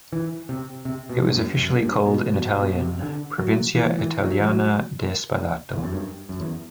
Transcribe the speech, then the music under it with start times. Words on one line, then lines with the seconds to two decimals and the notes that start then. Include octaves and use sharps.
It was officially called in Italian: "Provincia italiana di Spalato".
0.13 E3
0.49 C3
0.85 C3
1.10 B2
1.22 G2
1.33 F#2
1.57 F#2
1.82 G2
2.06 B2
2.30 B2
2.54 B2
2.71 B2
2.78 C3
3.02 D3
3.38 F#3
3.75 E3
3.99 E3
4.23 F#3
4.39 E3
4.47 F#3
5.73 E2
5.83 F#2
5.92 G2
6.29 F#2
6.40 E2